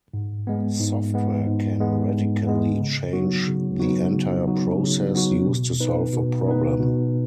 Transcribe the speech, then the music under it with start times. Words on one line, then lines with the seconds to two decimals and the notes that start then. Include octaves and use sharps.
Software can radically change the entire process used to solve a problem.
0.14 G#2
0.47 G#3 B3
0.80 G#2
1.14 G#3 B3
1.47 G#2
1.80 G#3 B3
2.14 G#2
2.47 G#3 B3
2.80 C#3
3.13 F#3 B3 D#4 F#4
3.47 C#3
3.80 F#3 B3 D#4 F#4
4.14 C#3
4.47 F#3 B3 D#4 F#4
4.80 C#3
5.14 F#3 B3 D#4 F#4
5.47 B2
5.80 B3 D#4 B4
6.13 B2
6.47 B3 D#4 B4
6.80 B2